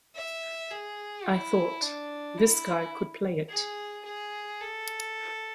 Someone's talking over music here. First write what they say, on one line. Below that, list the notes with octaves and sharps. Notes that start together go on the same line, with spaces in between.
I thought, This guy could play it.
E5
G#4
E4
D4
E4
G#4
G#4
A4